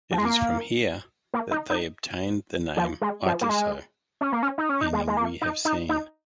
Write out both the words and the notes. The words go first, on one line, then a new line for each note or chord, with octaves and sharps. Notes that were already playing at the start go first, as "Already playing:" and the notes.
It is from here that they obtained the name Iteso, meaning we have seen.
F3
G#3
A#3
A#3
D#4
D#4
F3
G#3
F3
A#3
G#3
C#4
A#3
C#4
D#4
C#4
D#4
G#3
G#3
A#3
D#4
D#4
D#4